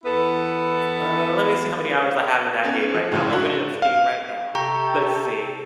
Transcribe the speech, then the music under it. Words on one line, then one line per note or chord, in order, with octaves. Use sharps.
Uh, let me see how many hours I have in that game right now; I'm opening up Steam right now. Let's see,
E2 B3 E4 A4 B4
B3 C#4 G#5
F3
A2 C#3 F3 G#3 F4
D4 F#4 A4 A#4 D5 E5
F5
C3 G4 A4 A#5 C#6